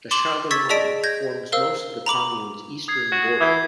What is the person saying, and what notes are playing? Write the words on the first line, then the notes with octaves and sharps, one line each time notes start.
The Chalaronne forms most of the commune's eastern border.
C6 D6 E7 F#7
C#6 E6 G#6 A6 B6
G#4 D5 D#5 A5 B6 D7
G6 G#6 A#6
A#4 C5 F5 E6
A#5 B5 D6 F#7
D#6 G#6 C7
F#4
E3 D#6 G6 C7